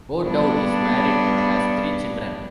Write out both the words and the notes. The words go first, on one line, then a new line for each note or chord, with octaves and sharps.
O'Dowd is married and has three children.
G2 B3 D4